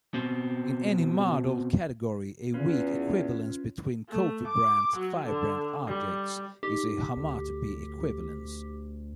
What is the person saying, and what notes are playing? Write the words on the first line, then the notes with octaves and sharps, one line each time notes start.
In any model category, a weak equivalence between cofibrant-fibrant objects is a homotopy equivalence.
B2 C4
E2 C#4 F4 B4
A3
D6
F#3
D3
G3
D#4 G4
D2